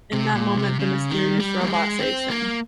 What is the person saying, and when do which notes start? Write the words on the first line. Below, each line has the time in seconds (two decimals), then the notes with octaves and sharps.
In that moment, the mysterious robot saves him.
0.13 C3
0.35 A#2
0.58 C3
0.79 C#3
1.10 D#3
1.40 G3
1.61 A#3
1.70 G#3
1.99 C4
2.30 A#3